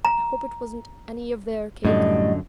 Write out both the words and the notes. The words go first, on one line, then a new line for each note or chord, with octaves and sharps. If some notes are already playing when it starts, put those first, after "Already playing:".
I hope it wasn't any of their cake.
A#5
F#2 A2 D3 G3 D#5